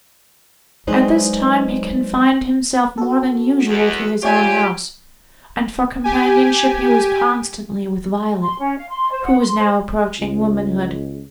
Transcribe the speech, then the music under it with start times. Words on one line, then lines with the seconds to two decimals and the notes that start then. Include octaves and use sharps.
At this time he confined himself more than usual to his own house, and for companionship he was constantly with Violet, who was now approaching womanhood.
0.87 F#3 G#3 D#4 B4 C5 D5
2.98 F#4 A4
3.67 E2 B4
4.23 F4 G4 C#5 D5 G#5 B5
6.04 G4 G#5
8.42 C6
8.59 C#4
8.77 F5
8.89 C6
9.10 C5
9.23 F#5
9.38 C6
9.58 C5
10.19 C#2